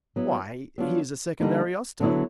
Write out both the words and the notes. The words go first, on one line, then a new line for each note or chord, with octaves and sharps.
"Why, he is a second Ariosto."
F#3 B3 E4
F#3 B3 D4 F4
D3 G3 A#3 D#4
D3 F#3 B3 E4